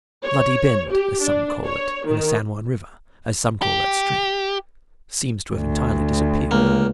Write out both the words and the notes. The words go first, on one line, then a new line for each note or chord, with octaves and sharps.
The Bloody Bend, as some call it, in the San Juan River, as some call that stream, seems to have entirely disappeared.
C#5
G4
D4
C#5
D#3
G4
D2
C#2 A#3